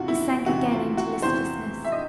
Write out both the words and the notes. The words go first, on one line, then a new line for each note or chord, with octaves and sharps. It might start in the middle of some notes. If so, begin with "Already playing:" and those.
He sank again into listlessness.
Already playing: E2 C3 E3 F4 F#4
E4
E2 C3 E3 F#4
F4
F#4
E2 C3 E3 C5
E5
D#5